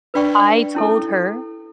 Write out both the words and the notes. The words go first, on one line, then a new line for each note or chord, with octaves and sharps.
I told her
D4 B4 D5 G5 C#6
C#4 E4 A4